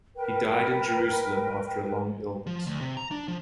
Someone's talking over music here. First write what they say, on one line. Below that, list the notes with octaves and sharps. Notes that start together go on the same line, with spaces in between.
He died in Jerusalem after a long illness.
A#4 B4 G5
F3
D2
C3
A#5
D4
F3